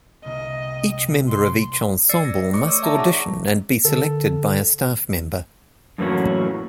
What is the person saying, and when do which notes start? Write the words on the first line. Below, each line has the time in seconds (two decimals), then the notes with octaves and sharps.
Each member of each ensemble must audition and be selected by a staff member.
0.24 C2 C3 A#3 D#5
1.28 C6
2.09 D5 E6 A6 C7 C#7
2.25 A#6
2.53 A3 C#6 D6 C#7
2.65 C#5 D5 E6
2.82 D5 E5 A5 A#5 C#6 A#6
2.97 D#4 G#4 F#5 D6
3.85 D3 A4
5.98 F#2 A2 E3 A#3 C#4 F#4